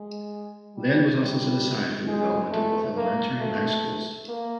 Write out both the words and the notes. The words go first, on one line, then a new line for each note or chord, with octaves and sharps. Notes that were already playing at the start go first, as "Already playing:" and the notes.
Land was also set aside for the development of both elementary and high schools.
Already playing: G#3
G3
G3
G#3
A3
A#3
A3
A#3